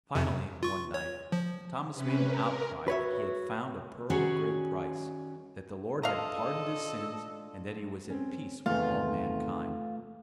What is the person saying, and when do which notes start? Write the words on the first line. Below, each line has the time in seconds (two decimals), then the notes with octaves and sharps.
Finally, one night, Thomas made an outcry that he had found a pearl of great price, that the Lord had pardoned his sins, and that he was at peace with all mankind.
0.15 F2 C3
0.63 F4 C#6
0.94 C#5
1.32 F3
1.92 C3 C#4 B4
2.22 A#4
2.88 F#4 B4 C#5 E5
4.10 D#3 G3 C#4 F#4 G#4 C#5
6.03 D4 F4 A4 D#5 F5 A#5
8.10 C4 C#4
8.66 E2 C3 D#3 A3 F4